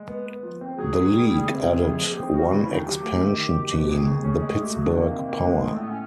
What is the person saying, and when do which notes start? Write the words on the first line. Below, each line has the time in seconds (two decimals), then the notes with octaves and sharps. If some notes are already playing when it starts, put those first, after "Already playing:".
The league added one expansion team, the Pittsburgh Power.
Already playing: G#3
0.09 B3
0.26 B3
0.43 F3
0.61 C4
0.77 F#3 G#4
0.95 F#3
1.12 G3
1.30 G3
1.47 C3 G#4
1.65 C3
1.82 F2
1.99 F2
2.09 G4
2.16 C4 G#4
2.33 G3 F#4
2.51 C#3 F4
2.60 E4
2.68 D#2 D#4
2.77 D4
2.86 F#3 G4
3.03 A3
3.21 D#3
3.38 D#3
3.55 F#3
3.72 B2
3.84 G4
3.89 D#2 G#4
4.07 D#2
4.24 C#4
4.42 G#3
4.60 A3 G4
4.68 F#4
4.77 F#3 G#4
4.85 D4
4.93 D#3 A#3
5.12 C3
5.29 D#3
5.45 G#3
5.58 A#3
5.63 A3 B3
5.71 C4
5.80 A2 B3
5.89 C#4